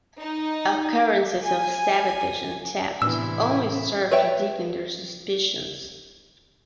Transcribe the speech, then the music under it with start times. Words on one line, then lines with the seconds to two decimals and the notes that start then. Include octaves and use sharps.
Occurrences of sabotage and theft only serve to deepen their suspicions.
0.19 D#4
1.42 G#5
3.02 A2 C3 E3 B3 D4 E4 E6
4.11 B4 C#5 E5 G5